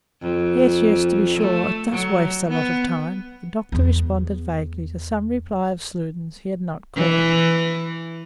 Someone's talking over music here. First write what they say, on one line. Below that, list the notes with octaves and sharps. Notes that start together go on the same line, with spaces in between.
"Yes, yes, to be sure; it does waste a lot of time," the doctor responded vaguely to some reply of Sludin's he had not caught.
F2
A3
F#3
B3
E2 B3
E3